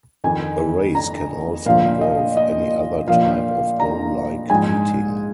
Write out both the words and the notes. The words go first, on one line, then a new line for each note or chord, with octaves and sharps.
A race can also involve any other type of goal like eating.
F2 D#3 G#5
A#5
A#2 F3 F5
D#5
D#5
A#2 F3 F5
A#5
G#2 F3 G#5